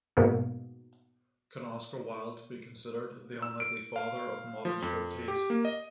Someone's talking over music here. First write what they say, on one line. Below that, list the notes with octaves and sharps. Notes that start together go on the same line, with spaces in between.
Can Oscar Wilde be considered the unlikely father of modern striptease?
G#2 B2 A#3 B3
E6
D7
F5
F3
F2
G4
A#3
D#5